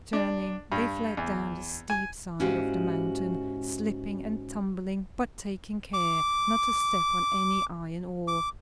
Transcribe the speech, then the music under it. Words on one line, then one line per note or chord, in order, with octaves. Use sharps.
Turning, they fled down the steep side of the mountain, slipping and stumbling, but taking care not to step on any iron ore.
D4
G2
E2
G#5
G#2 C#4 E4 F#4 G4 F5
D6
D6